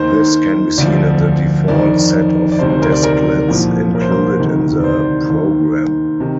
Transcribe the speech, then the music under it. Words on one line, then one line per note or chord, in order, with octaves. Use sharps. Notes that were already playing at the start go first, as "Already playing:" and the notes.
This can be seen in the default set of desklets included in the program.
Already playing: D#2 D#3 C5
D2 D3 F3 D5
F2 D#3 D5
D5
D2 C3 D#3 C5
C5
A#4
D5
A#4
C2 A#2 F3
A#4
C5
A#4
D2 C3 D#3
D5
C5
D#2 D#3
C3 D#3